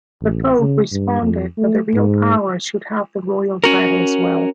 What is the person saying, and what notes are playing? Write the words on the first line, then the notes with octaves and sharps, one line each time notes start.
The pope responded that the real power should have the royal title as well.
A1
C#3
G2
F2
A3
G#2
C#4 F#4 A#4